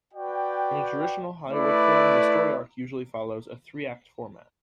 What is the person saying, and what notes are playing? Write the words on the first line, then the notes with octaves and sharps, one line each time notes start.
In a traditional Hollywood film, the story arc usually follows a three-act format.
F#4 B4 D5 G5
A3 E4 B4 D5